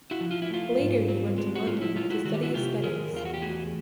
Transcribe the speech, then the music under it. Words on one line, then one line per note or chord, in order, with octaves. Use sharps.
Later he went to London to study aesthetics.
E4 F#4
F3
F4
E4
A3 F4
G#2
C4
G#3
F#4
A2 F4
E4
G#3 F4
E4 F#4
D#3 F#4
G4
E4 F#4
C3 F4 G4
D#3 G#4 A#4
E2 F4
F#4
G4
A3 F#4 G#4